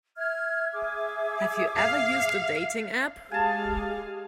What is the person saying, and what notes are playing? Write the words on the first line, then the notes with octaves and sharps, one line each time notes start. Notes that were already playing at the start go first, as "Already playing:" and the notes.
Have you ever used a dating app?
E5 F6 G#6
G#4 D6
F5
G#3 G4 G#4 F5 G#5 A5